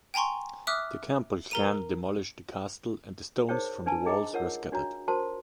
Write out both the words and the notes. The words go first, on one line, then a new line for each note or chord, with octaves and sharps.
The Campbell clan demolished the castle, and the stones from the walls were scattered.
G5 G#5 A#5 C6 C#6
E5 D6 D#6 F6 F#6
A#4 A#5 D#7
D#4 G#4 A#4 C5 C#5 G5
D4 B4 G#5 A5
D#4 G#4 D#5 G5 A#5 D6
F4 A#4 C#5 F#5 E6
D4 F#4 C#5 A#5
F#4 A#4 C5 A5 C6